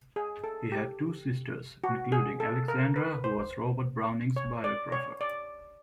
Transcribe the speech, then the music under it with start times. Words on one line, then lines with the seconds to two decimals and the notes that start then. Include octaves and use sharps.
He had two sisters including Alexandra who was Robert Browning's biographer.
0.16 G#4
0.44 A4
0.72 G4
1.84 F#4
2.12 G#4
2.40 A4
2.68 A#4
2.96 B4
3.24 C5
4.36 C#5
4.64 D5
4.92 C#5
5.21 D5